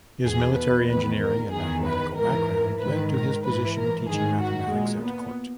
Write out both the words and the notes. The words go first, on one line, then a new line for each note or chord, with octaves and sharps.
His military engineering and mathematical background led to his position teaching mathematics at court.
E2 B2 G#4
B4
E2 D#3 B4
A#4
E2 D#3 G#4
B4
G#2 E3 A#4
G#2 D#3 B4
A#4
G#2 E3 B4
A#4
G#2 D#3 G#4
F#4
A#2 G#3
B3